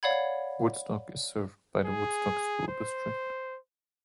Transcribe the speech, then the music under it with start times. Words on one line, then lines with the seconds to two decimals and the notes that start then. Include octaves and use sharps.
Woodstock is served by the Woodstock School District.
0.03 C#5 D5 F5 F#5 B5 G#6
1.85 G#4
2.68 C5